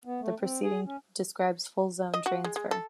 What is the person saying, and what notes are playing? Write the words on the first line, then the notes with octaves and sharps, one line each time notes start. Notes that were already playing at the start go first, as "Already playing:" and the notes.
The preceding describes full zone transfer.
B3
A3
C4
G#4
C#4
D#5
F#4
G#3
G#3
A4